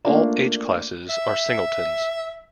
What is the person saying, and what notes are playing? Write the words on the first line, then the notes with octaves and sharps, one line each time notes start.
All "H"-classes are singletons.
A3 A#3 D4 F4 D5
E5